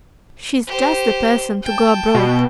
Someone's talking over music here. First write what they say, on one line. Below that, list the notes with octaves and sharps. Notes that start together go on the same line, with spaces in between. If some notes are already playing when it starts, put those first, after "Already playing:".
"She's just the person to go abroad."
G4 C5
G5 A5
B2